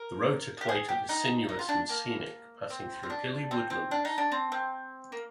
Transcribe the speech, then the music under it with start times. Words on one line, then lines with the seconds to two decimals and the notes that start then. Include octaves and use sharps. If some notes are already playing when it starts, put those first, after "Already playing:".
The road to Clayton is sinuous and scenic, passing through hilly woodlands.
Already playing: A#4
0.61 G4
0.69 G#4
0.89 G4
1.09 D#4
1.49 D#4
1.59 F4
1.69 D4
1.89 A#3
2.70 C4
3.03 C4
3.10 D4
3.51 C4
3.70 C4
3.91 D4
4.05 D#4
4.18 D4
4.32 C4
4.52 C4
5.12 A#3